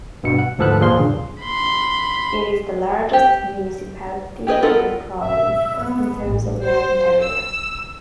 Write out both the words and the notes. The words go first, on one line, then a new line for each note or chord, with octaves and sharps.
It is the largest municipality in the province in terms of land area.
G2 B2 C#7
F#5
D2 G#2 F3 A4 B4 F#6
D#2 A#2 F3 A#3 G#4 C6
G2 C#3
B5 C6
G4
G4 G#4 B4 D#5
B3 F4 A4 A#4
E5
B3
A1
C5
E6